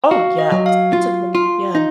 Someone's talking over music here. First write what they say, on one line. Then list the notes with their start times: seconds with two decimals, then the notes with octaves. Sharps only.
Oh, yeah. S It's okay. Yeah.
0.11 F#4 F5
0.39 D#5
0.52 F#3
0.66 F5
0.93 F4
1.35 F4
1.75 D#4